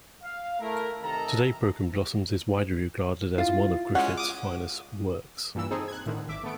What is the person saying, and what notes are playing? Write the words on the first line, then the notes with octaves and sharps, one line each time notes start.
Today, "Broken Blossoms" is widely regarded as one of Griffith's finest works.
F5
A3 E4 A#4
C3 D#3 A4 A#5
E4 F4 A6
G#3 C#4 F#5
D6 D#6
G2 A#2 E3 E6
C4 D#4 G#4 A4
F#6 G#6
A2 D3 D#3
G#1 E5 D6
A3 B3 D7